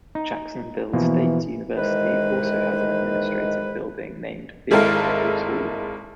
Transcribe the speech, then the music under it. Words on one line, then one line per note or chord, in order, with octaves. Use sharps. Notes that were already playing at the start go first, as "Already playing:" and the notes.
Jacksonville State University also has an administrative building named Bibb Graves Hall.
D#4
B2 E3 F3 A#3
G#2 D#3 E3 G#3 B4 C5
G#1 G#3 E4 A4 A#4 F5